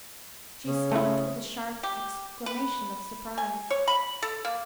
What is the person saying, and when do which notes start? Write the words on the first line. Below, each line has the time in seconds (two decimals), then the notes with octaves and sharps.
She stopped with a sharp exclamation of surprise.
0.67 C#3
0.92 A3 E4
1.83 G4
2.46 B4
3.38 G#5
3.71 C#5
3.88 B5
4.23 A4
4.45 A#3